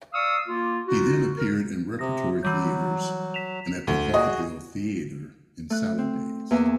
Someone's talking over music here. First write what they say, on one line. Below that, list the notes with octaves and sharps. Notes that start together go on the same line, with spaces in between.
He then appeared in repertory theatres and at the Vaudeville Theatre in Salad Days.
D5 F5 C#6 D#6 E6
A#3 F4
D#4 F4 F#4
A#4
C3 D#6 A#6
E3 F#3 G3 G6
B6 E7 F7
D2
F#4 G#4 D#5
A3 F#6
C4
E2 A#3 E5 G#5